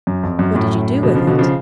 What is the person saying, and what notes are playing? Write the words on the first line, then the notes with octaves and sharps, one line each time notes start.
'What did you do with it?'
F#2
F2
F#2
F#2 A2
B2 D3
C#3 F3
B2 D3
C#3 F3